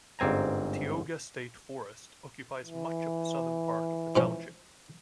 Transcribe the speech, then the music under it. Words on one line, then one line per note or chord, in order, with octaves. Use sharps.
Tioga State Forest occupies much of the southern part of the township.
G1 G#2 C4 G#5 A#5
E3
G#2 F3 C#4